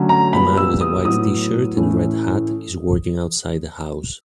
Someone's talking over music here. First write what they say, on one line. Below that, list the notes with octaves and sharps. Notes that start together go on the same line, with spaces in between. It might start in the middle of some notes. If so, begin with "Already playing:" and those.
A man with a white tshirt and red hat is working outside a house.
Already playing: D3 F#3 A3 C#4
A#5
A#2 G3 B3 B5
E6
D#6
A2 F#3 B3 D#6
A2 E3 A3 C#4